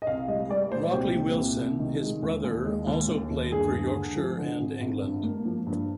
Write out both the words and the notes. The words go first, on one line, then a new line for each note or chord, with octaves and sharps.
Rockley Wilson, his brother, also played for Yorkshire and England.
D#5
C2 F5
G3 D#5
G3 D5
A#2 C5
C2 G4
A#2
C2
C2
D#3
G#3
D#2
D#2
G#3
D#2
D#2
D#2
G2 G#4
G2
D3
F3
D3
G#1
G#1
G2
A#3
F3
G2